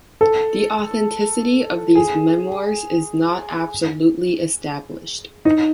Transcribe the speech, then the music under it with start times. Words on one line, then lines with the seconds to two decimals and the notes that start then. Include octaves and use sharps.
The authenticity of these memoirs is not absolutely established.
0.21 A4
1.95 G#4
5.45 D#4